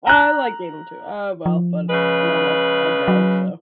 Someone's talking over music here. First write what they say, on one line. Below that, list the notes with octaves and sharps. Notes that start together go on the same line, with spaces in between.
I like gaming too, uh well, but I'm on a a Dell, so
A#5 F#6
F3
C#3 G#3 B4
F#3